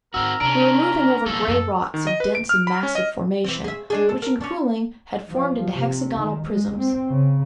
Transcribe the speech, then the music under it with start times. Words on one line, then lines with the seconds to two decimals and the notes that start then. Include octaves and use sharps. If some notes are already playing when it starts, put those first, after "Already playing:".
We were moving over grey rocks of dense and massive formation, which in cooling had formed into hexagonal prisms.
0.14 G#2 A3 C4 F#4 A#4 E6
0.40 C3 C#4 D4 A#5 D7
1.26 F2 B2 A#3 E4 A4
1.47 F#2 B3
1.94 D#3
2.07 D#5
2.20 B4
2.35 D7
2.49 F6
2.67 B5
2.83 C#4
2.95 D#5
3.44 E3 C4
3.64 G#4 E5
3.90 G#3 D4 G#4
4.09 A4
4.22 A#4
4.41 C#4 D4
5.29 F3
5.73 C3
6.17 D#3
6.48 G#3
6.77 C4
7.10 C#3